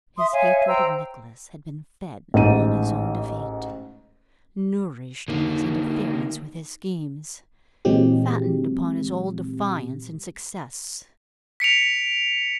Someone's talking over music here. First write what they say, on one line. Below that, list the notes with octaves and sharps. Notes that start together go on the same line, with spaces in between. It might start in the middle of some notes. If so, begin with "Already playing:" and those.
His hatred of Nicholas had been fed upon his own defeat, nourished on his interference with his schemes, fattened upon his old defiance and success.
E5 C6 D#6
C#5 E5 F5 G#5
C5 G5 A#5 E6
A1 G#2 D#7
D3 A#3 D#4
A#2 E3 F#3 G#3 C4 G4
B6 C#7 D7 F7